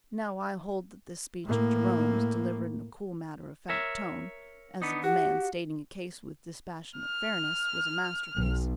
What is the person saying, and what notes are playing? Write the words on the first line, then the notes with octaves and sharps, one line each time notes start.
Now, I hold that this speech of Jerome's, delivered in a cool, matter-of-fact tone, as of a man stating a case with dispassionate fairness, was a masterpiece.
A2 A#3
A#4 C#5 E5
B3 D4 D#4
F#4 G4 F#5
F6
B1